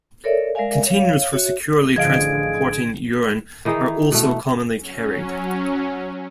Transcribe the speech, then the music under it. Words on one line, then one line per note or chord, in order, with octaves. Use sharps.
Containers for securely transporting urine are also commonly carried.
A4 A#4 C#5 D5 E5
G#3 A#4 D5 E5 F5 G#5
C#5 F5
F#4 C#5 E5
A1 D3 F3 G#4 D#5 F5 G#6 D7
D#3 E3 D#4 G#4
B2 A3
F#3 C#4